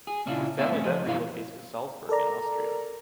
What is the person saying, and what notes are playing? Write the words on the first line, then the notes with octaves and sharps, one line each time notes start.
His family then relocates to Salzburg in Austria.
G#4
A#2 C#3 C#4 D4 E4 F4
A3 B3 C4 E5 F5
G2 A3 C4 C#4
F3 A4 D#5
G2 B2 E3 A#3 F4 F5
A4 A#4 D5 A#5